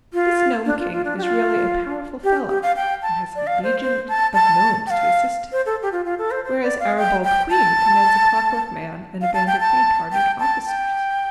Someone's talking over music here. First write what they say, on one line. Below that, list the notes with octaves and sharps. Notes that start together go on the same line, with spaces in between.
"This Nome King is really a powerful fellow and has a legion of nomes to assist him, whereas our bold Queen commands a Clockwork Man and a band of faint-hearted officers."
F4
D4
F4
F4
D4
G4
F4
G4
G4
F5
G5
A5
D5
F5
C5
C5
A5
A5
G5
F5
C5
A4
G4
F4
F4
A4
C5
C5
D5
F5
G5
G5
A5
F5
A5
G5
A5
G5
A5
G5